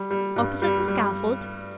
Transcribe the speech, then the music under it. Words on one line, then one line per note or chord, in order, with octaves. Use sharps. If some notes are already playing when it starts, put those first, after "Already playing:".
"Opposite the scaffold?"
Already playing: G3
G3
G2
G3
G3